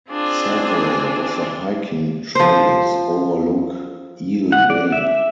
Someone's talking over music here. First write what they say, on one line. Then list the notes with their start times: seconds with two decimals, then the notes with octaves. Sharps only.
Several of the hiking trails overlook Eel Bay.
0.11 C4 D4 F4 G#4
2.35 F3 C5
4.52 F#5
4.70 D5
4.92 E5